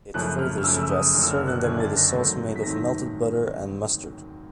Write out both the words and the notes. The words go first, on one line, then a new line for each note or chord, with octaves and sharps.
It further suggests serving them with a sauce made of melted butter and mustard.
F#2 C#3 F3 A3 F#6
F6
F6
F#2 C#3 F3 A3 E6
E6
D#6
F#1 F#2 D3
E6
F6
F#6
F#1 F#2 D3 G#6
A6
A#6
G#2 D#3 F#3 A3 C4
B6
G#2 D#3 F#3 A3 C4 A#6